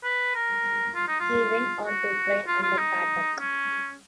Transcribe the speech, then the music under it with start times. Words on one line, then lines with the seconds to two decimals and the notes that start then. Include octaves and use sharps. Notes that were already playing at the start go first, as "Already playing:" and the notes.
He went on to train under Pat Buck.
0.04 B4
0.35 A#4
0.95 F4
1.08 D#4
1.20 F4
1.87 F#4
2.47 F4
2.63 F4
2.78 D#4
3.39 C#4